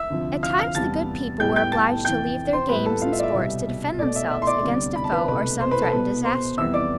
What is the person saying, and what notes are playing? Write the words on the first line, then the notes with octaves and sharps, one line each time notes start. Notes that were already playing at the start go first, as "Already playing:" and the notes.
At times the good people were obliged to leave their games and sports to defend themselves against a foe or some threatened disaster.
Already playing: E5 E6
D2 C3 F3
F5 F6
F5 F6
E2 C3 G3 B3 A5 A6
A2 G3 B3 G5 G6
G5 G6
A5 A6
F2 C3 E3 G5 G6
C5 C6
A2 G3 B3 B4 B5
A4 A5
F4 F5
E5
D5
E5
C2 B2 G3 B3
B2 A3 D5
E5
E5
C6
D5 D6
D2 C3 G3 B3
B5
A5
B4 B5
C2 B2 A3 B4 B5
C5 C6
B4 B5
A4 A5
B2 B3 B4 B5
C5 C6
F2 C3 E3 G3 B3 E5 E6
D5 D6